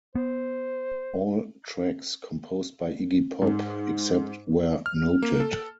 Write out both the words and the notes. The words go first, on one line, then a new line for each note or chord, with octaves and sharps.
All tracks composed by Iggy Pop, except where noted.
B3 C5
G#2
F6
A#3
A4